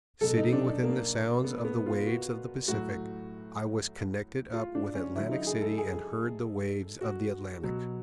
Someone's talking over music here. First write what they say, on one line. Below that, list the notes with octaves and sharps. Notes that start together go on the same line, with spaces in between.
Sitting within the sound of the waves of the Pacific, I was connected up with Atlantic City and heard the waves of the Atlantic.
B2 F#3 A4
D#4
D4
D#4
A#3
B3
B3
F4
F#4
A2 F#3 F#4
F4
D4
C#4
D3 F#3 E4
D#4
G#4
A4
G#4
F#4
B2 F#3